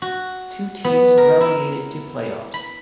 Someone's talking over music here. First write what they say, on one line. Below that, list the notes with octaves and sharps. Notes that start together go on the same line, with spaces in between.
Two teams relegated to Playoffs.
F#4
B3
A#4
E4
B5